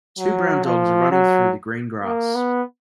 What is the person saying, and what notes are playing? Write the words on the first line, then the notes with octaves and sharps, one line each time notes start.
Two brown dogs are running through the green grass.
F#3
F3
F#3
A#3
B3